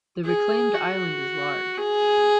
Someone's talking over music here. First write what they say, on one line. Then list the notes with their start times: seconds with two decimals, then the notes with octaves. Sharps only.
The reclaimed island is large.
0.24 G#4
0.75 F#4
1.78 G#4